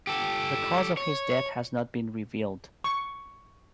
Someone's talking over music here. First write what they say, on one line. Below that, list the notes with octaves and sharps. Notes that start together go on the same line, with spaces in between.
The cause of his death has not been revealed.
G4 A4
C#5
C#6